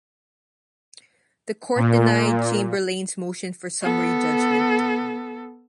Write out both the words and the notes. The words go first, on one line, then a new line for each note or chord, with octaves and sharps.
The court denied Chamberlain's motion for summary judgment.
A#2
B3 A4